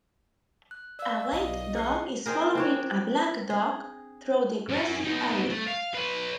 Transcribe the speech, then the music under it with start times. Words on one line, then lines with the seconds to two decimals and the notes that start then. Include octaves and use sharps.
A white dog is following a black dog through the grassy area.
0.71 F#6
0.99 D5 F5 E6
1.33 B1 D#5
1.75 G#4 F#6 C7
2.26 C4 D#4 G#4 A#4
2.55 C4 D4 C#5
3.50 G#4
4.69 F#2 C#4
5.05 B3 D#4
5.50 A3
5.67 F5
5.94 B4 C#5